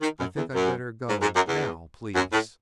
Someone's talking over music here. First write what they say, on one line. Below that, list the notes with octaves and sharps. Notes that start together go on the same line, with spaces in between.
"I think I'd better go, now, please."
D#3
F#2
E2
F#2
G#2
G#2
F#2
E2
F#2
A2